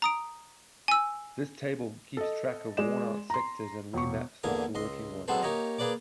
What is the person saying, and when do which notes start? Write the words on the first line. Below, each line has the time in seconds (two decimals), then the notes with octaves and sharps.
This table keeps track of worn-out sectors and remaps them to working ones.
0.02 A#5 D#6 D7
0.88 G#5 E6
2.17 A4 D#5
2.77 G#3 D5 E7
3.30 A#5 C6
3.93 E1 C#6
4.43 E2 D3 A#3 G#5 D#6
4.75 C#2 D#5 C6
5.28 F#3 G#3 B3 C4 A4 C5
5.43 A#3 D#4 G4 C#5 D#5
5.78 A#3 G#4 B4 D5 D6